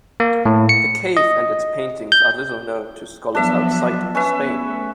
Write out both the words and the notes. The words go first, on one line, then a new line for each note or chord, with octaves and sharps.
The cave and its paintings are little known to scholars outside Spain.
A#3
A2
C#7
D#5
G6
F3 F#3 B3 D4 E5
B3 C#4 B4 E5
A3